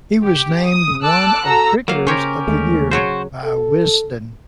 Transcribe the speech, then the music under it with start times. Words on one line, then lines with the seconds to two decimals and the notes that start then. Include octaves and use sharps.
He was named one of Cricketers of the Year by "Wisden".
0.24 G4
0.65 D#6
1.03 A4 A5 D6 E6 F#6
1.46 F#4 A4 A#5 E6
1.88 F#3 A#3 F5
2.07 C#3 C#4 G4 A#4 C5 C#5
2.47 D#2 G#3 A3
2.91 C#3 F#3 F#4 C5 C#5
3.44 A4